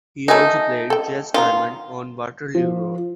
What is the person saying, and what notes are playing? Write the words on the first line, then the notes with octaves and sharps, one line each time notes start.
He also played Jez Diamond on Waterloo Road.
A3 D#4 F#4 A#4 G#5
A4 G5
D#3 B3 F4 A#5
F3